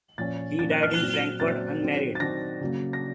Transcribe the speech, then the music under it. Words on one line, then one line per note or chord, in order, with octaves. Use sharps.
He died in Frankfurt, unmarried.
A#2 F3 A#3 C#4 A6
A#2 F3 A#3 C#4 A6
F#6
F6
F#6
A#2 F#3 C4
A#2 F#3 C4 A6
D#3 F#3 C4
A6
D#3 F#3 C4 A#6
C#3 F#3 A#3 C#4
A#6